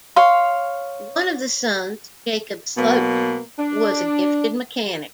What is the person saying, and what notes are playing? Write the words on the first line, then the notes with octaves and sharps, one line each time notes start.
One of the sons, Jacob Sloat, was a gifted mechanic.
C#5 F5 C6
B2 F#3 A#3 B3
D4